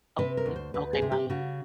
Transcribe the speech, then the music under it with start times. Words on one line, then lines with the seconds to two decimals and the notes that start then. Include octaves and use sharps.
okay, okay, by
0.19 C3 B4
0.37 A#4
0.46 D2
0.56 C5
0.74 D2 B4
0.93 G#4
1.02 C3
1.12 G4
1.30 C#3 F#4